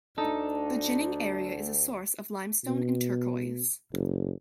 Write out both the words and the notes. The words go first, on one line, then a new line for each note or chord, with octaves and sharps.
The Jining area is a source of limestone and turquoise.
D2 D4 D#4 A4
B2
F#1